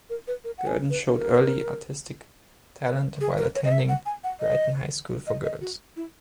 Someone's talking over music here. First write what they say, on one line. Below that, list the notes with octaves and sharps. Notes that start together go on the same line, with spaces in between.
Gurdon showed early artistic talent while attending Brighton High School for Girls.
A#4
B4
A#4
F#5
G#5
B4
A#4
G#4
A#4
C#5
D#5
E5
F#5
G#5
F#5
D#5
D#5
D#5
F#4
E4